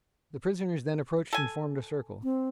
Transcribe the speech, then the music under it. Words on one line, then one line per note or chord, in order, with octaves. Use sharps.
The prisoners then approached and formed a circle.
A4 G#5
C4